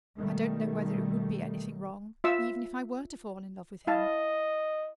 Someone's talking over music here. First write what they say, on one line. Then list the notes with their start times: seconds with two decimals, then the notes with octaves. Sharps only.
I don't know whether it would be anything wrong, even if I were to fall in love with him.
0.18 B2 D#3 G3 A3
2.24 F4 E5 E6
3.87 E4 D#5 F5 A5